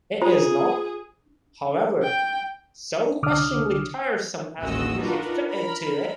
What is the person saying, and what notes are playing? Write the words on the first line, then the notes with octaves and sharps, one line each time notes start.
It is not, however, so crushingly tiresome as the music fitted to it.
F4 G#4 C5 A#5
G5
C2 D3 D6 D#6 F6
A1 D#2 G#3 F#4 D#5 E6
D4 D#4 F4 F#4 A#4 B4
A#4 B5